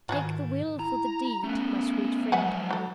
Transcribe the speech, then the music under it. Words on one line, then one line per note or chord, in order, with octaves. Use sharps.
Take the will for the deed, my sweet friend.
G#2 D#3 F4 F#4 G#4
E4 A#5
A3 B3 C#4
F3 F#3 G#3 E5 F#5 G#5
F#4 A4